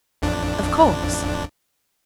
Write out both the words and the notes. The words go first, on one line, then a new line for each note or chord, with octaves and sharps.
"Of course!"
A1 F2 D4